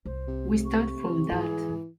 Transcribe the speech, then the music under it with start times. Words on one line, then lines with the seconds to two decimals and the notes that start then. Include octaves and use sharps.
We start from that.
0.05 C2 C5
0.28 C3
0.65 C#6
1.31 G#2 E3 G#4